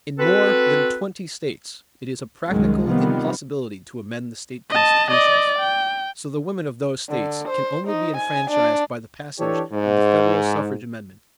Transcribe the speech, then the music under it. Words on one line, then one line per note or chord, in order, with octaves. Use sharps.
In more than twenty states it is a practical impossibility to amend the state constitutions; so the women of those States can only be enfranchised by the passage of the federal suffrage amendment.
C4 F#4 A4 B4
C2 F#2 D#3 F#3 G#3
C3 D#3 F3 G3 B3 C4
D#5 A5
D5 D#5
G5
D3
C5
D#4
G#5
D4
E3 D4 G4 A4 C#5
G#2